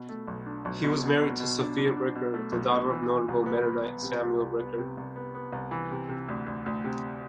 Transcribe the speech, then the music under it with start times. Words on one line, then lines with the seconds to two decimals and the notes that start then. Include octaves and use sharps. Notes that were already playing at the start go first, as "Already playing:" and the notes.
He was married to Sophia Bricker, the daughter of notable Mennonite Samuel Bricker.
Already playing: B2
0.09 A3
0.28 B1
0.46 D4
0.65 B1
0.84 B2
1.03 B2
1.21 B2
1.40 B2
1.59 D4
1.77 D4
1.97 D4
2.15 B2
2.34 A3
2.52 B1
2.71 B2
2.90 E3
3.09 E3
3.28 C2
3.46 B3
3.66 B3
3.85 B3
4.03 C3
4.22 C2
4.40 C2
4.59 B3
4.78 C3
4.97 C2
5.16 B3
5.35 B3
5.52 C2
5.71 E3
5.91 C3
6.09 C3
6.28 D2
6.46 D2
6.66 D2
6.84 C3